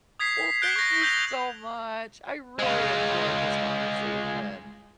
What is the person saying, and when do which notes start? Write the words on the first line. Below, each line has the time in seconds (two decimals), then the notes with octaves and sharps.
Well, thank you so much. I really enjoyed this conversation.
0.19 D#6 G#6 B6 C7
0.62 F#6 G6 B6 D7 G7
0.76 C#6 A#6
1.02 E6 G6 F7 G7
2.59 G#3 F4